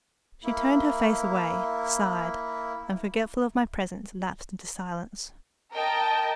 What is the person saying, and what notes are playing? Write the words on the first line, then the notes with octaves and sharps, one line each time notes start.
She turned her face away, sighed, and forgetful of my presence lapsed into silence.
A#3 E4
A#4 D#5 G5 A5